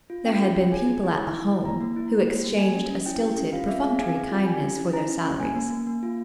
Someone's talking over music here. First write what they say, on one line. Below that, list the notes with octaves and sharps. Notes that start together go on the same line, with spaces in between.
There had been people at the Home, who exchanged a stilted, perfunctory kindness for their salaries.
F4
C#4 G5
F4
F4
G#4 G#5
G#4
E4
E4
E4
E4
A#3 A#5
A#3
E4
A#3
G4
A#3
G4 G#5
C#4
C#4
E4 G5
G4
C#4
F4 F5
C4 E5
G#4 F5
G#4 G#5
C4
F4
G4 G#5
C#4
E4
E4 A#5
C#4
C#4
A#3 G#5
A#3
A#3
A#3
F4